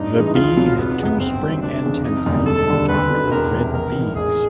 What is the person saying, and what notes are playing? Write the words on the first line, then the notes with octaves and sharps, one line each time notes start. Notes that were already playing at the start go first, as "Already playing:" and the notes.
The bee had two spring antennae topped with red beads.
Already playing: G2 D#4
E3 G#3
C#2 F4
B2 F#3 B3
G#1 B3
F#2 C#3
G1 C4
G2 D3 F#3
F1 D4
E2 C#3
G#1 D#4
F#2 D3 G3 A#3
E1 A4
D#2 D3 G3
D2 B4
D3 F#3 B3 D#4
E1 A#4
E2 C3 E3
A#1 A#4
G#2 E3
A1 G#4